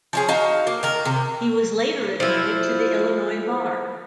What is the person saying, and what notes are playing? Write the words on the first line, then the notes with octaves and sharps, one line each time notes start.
He was later admitted to the Illinois bar.
F3 C#4 G#4
D#4 F#4 F5
A#3
D#3 A#4
C3
F3 E4